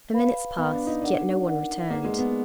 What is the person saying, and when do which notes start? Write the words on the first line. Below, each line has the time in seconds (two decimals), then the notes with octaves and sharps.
The minutes passed, yet no one returned.
0.14 B4 F5 B5
0.58 B3 B4 F5 B5
0.72 D4
0.87 D#4
1.02 D4 D#4 A#4 D5 F#5
1.45 D#4 A#4 D5 F#5
1.89 A#3 D#4 G#4 B4 D5 F#5
2.04 G#3
2.18 B3